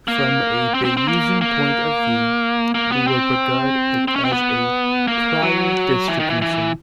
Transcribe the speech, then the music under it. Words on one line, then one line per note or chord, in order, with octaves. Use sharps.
From a Bayesian point of view, we would regard it as a "prior distribution".
A#3
C4
C4
C4
A#3
A#3
A#3
B3
C4
C4
C#4
C4
B3
A#3
F#3
E3
D#3
E3
E3